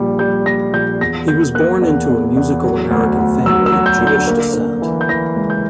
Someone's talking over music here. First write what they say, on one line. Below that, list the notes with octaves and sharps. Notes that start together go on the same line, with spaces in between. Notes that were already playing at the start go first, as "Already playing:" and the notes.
He was born into a musical American family of Jewish descent.
Already playing: A#1 A#2 G3
G3 G6
A#2 A#6
A#1 G6
E2 A#6
A#3 G6
A#3 F#6
E2
E2
E2
F#3
D2
D2
F#3 E6
E6
F#3
G6
D3
G6
A#3
A#3
E3
G6
E3 A#6
C#2
G6